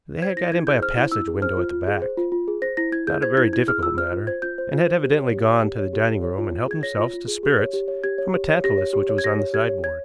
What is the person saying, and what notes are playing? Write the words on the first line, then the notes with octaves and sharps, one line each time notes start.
They had got in by a passage window at the back--not a very difficult matter--and had evidently gone to the dining room and helped themselves to spirits from a tantalus which was on the sideboard.
C5 G#6
E4 A#6
E4 G#6
G#4 G6
C5 F6
E4
E4 E6
G#4
C5 F6
F4
F4
G#4
C5
F4
F4
G#4
C5 A#6
E4 A#6
E4 G#6
G#4 G6
C5 G#6
E4 G#6
E4 G#6
G#4 F6
F4 E6
C5 F6
F4
C5 G#6
F4 G6
C5
F4
C5
G4
C#5
G4
C#5
G4
C#5
G4
C#5
C#5
F4
F4
G#4 G#6
C#5 A#6
F4
F4
G#4
G4
C#5
G4
C#5
G4 G#6
C#5
G4
C#5
G4 A#6
C#5
G4
C#5
G#6
G4 A#6
C#5
G4 G#6
C#5
C#5 G#6